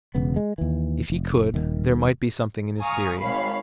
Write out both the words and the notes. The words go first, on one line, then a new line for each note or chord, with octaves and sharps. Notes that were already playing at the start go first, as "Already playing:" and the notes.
If he could, there might be something in his theory.
E1 C#3 B3
G#3
D#2 E3
F1
D#1 D#3
F5 G#5 A#5 C#6 D#6 F6
G#1 G#3 C#5 F5 B5 C7